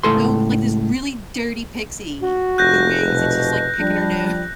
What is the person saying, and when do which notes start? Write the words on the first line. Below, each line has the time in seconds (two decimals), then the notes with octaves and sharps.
So, like, this really dirty pixie with wings, it's just like picking her no
0.03 C#2 A2 A4 C6
2.21 F#4
2.58 F1 F#6 G6 A#6
3.05 B2
3.79 F3 G3 D4